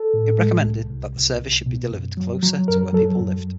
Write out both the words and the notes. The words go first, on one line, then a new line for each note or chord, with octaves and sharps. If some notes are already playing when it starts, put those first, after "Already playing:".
It recommended that the service should be delivered closer to where people lived.
Already playing: A4
A2
G#3
C2
C2
C2
C2
B2
F#2
F#3
F#3
F#2 A#4
F#3 A4
F#2